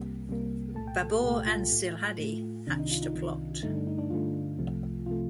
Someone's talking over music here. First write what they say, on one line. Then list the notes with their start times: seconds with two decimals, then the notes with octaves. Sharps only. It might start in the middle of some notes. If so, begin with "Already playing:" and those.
Babur and Silhadi hatched a plot.
Already playing: C2 C3 G3 A#3
0.28 C2 C3 G3 A#3
0.75 C2 A#2 A3 A5
0.87 G5
1.02 A4
1.11 G4
1.23 C2 A#2 A3 G4
1.47 F4
1.71 A2 A3
2.19 A2 A3
2.67 C2 C3 D#3 D4
2.79 D#4
2.91 F4
3.02 D#4
3.15 C2 C3 D#3
3.63 G2 D3 A3 D#4
3.74 D4
3.87 D#4
3.98 D4
4.10 G2 D3 A3 F4
4.58 C2 C3 F3 A3
5.06 C3 F3 A3 F4